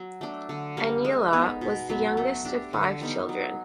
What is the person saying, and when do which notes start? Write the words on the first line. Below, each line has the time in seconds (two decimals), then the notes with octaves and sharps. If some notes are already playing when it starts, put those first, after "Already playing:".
Aniela was the youngest of five children.
Already playing: F#3
0.21 A3 D4
0.49 D3
0.77 G3 A#3
1.05 G#3
1.33 B3 D#4
1.61 B2
1.89 F#3 B3
2.17 A3
2.45 D4 G4
2.73 D3
3.01 G3 B3 D#4
3.29 F#3